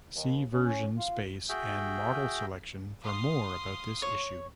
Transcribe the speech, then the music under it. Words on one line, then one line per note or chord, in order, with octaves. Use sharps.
See Version space and Model selection for more about this issue.
D#2
C#4
F4
F#4 G#4 E5 G5
F5 C6 D#6
C#5